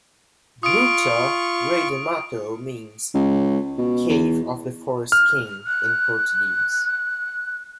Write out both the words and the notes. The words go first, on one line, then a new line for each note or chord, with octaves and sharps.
Gruta Rei do Mato means "Cave of the Forest King" in Portuguese.
F4 C#6 D#6 D7
C#2
B2
E2
F6
F#6